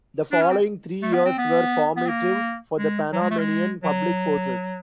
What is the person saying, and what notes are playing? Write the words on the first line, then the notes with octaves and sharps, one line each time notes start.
The following three years were formative for the Panamanian Public Forces.
D4
C#4
C4
A3
B3
C4
B3
B3
A#3
G#3
F#3
G#3
A3
G#3
F#3